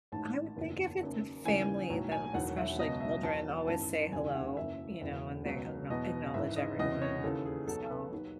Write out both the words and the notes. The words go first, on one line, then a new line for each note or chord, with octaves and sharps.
I would think if it's a family, then especially children always say "hello", you know, and they ackno acknowledge everyone, so
A1 G#2 D#3 A5
F#1 E2 D#3
F#1 F#2 D#3
D#2 C#3 E3 G#5
B1 A2 F#3
G#5
E1 E2 D#3 F#3 F#5
E5
C#2 B2 F#3 D#5
E5
E2 D#3 F#3 A5
G#1 F#2 E3 A5
E1 D#2 C#3 E3 G#5
F#5
F#1 F#2 E3 E5
E1 E2 C#3
C#2 B2 F#3
E2 B2 F#3 D#5
G#1 G#2 E3 E5
D#5
E1 E2 C#3 E3 D#5
C#5
D#2 C#3 E3 A4
G#4
B1 B2 F#3 A4
B4
D#2 D#3 F#3